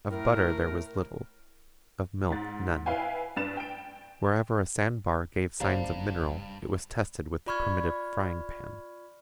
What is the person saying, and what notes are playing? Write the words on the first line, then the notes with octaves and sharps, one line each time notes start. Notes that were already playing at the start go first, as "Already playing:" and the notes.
Of butter there was little; of milk, none. Wherever a sand-bar gave signs of mineral, it was tested with the primitive frying-pan.
A2 A3 A#4
G#2 A6
E4 B4 F5 G5 G#5
G2 B4 A6 E7
G5 D7
F#1 G2 G4 C5 D5 F5 A#5
F4 D5 B5 C#6 F6 G#6